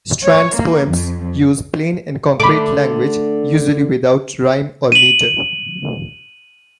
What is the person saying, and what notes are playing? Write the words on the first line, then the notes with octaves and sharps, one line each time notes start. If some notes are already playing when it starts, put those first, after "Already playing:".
Strand's poems use plain and concrete language, usually without rhyme or meter.
C#5
A#3
F2
D3 A3 B5 D6
D#7 F#7